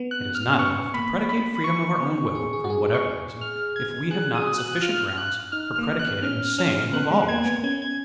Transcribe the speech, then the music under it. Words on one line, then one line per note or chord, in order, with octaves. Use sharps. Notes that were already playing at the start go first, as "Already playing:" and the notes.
It is not enough to predicate freedom of our own will, from Whatever reason, if we have not sufficient grounds for predicating the same of all rational beings.
Already playing: B3
F#6
F6
C#4
B3 C#6
A#3 B5
B5
B5
C#6
B3
G#4
G#4
F#4
G#4
C#6
F6
G#6
G#4 F#6
G#4 D#6
F#4
F#6
F4 F6
F6
F#6
D#4 F6
A#3 F6
B3
F#6
C#4 F6
C#4 F6
B3 F#6
G#3
G#3
A#3 G#6
B3
C#4 G#6
G#6